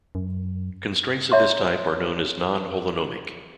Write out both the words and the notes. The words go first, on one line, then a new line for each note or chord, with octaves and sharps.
Constraints of this type are known as non-holonomic.
F#2
C#5 E5 A#5 C6